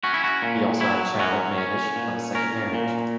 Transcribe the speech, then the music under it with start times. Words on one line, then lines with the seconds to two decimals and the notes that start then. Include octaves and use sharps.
He also has a child, Manish, from a second marriage.
0.03 C#4 F#4
0.14 E4
0.24 F#4
0.42 A#2
0.80 F#3 E4
1.19 C#4 F#4
1.58 C#4
1.96 A#2
2.35 C#4 A#4
2.74 A#2